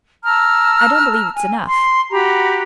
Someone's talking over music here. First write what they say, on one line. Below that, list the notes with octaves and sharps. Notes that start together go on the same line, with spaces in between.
I don't believe it's enough.
A5 A#5 E6 F6
G#5
C6
F#4 G4 A#5 B5